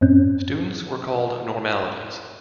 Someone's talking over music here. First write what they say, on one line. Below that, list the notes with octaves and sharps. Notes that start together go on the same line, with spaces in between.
Students were called "Normalites".
F#2 A2 C4 C#4